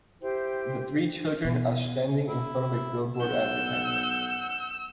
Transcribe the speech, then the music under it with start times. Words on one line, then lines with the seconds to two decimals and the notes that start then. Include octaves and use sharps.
Three children are standing in front of a billboard advertisement.
0.21 E4 G4 C5 G5
1.44 B2
2.29 E4
3.20 B1 F#5 E6 G6